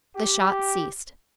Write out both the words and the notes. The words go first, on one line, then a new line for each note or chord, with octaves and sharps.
The shots ceased.
G4